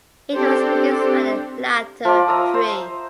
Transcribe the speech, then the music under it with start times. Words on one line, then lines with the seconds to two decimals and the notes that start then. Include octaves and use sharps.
It was produced by the latter three.
0.32 C4 D4 G4 A4 C5
2.05 F3 D5
2.28 D#5 E5 A#5
2.54 C5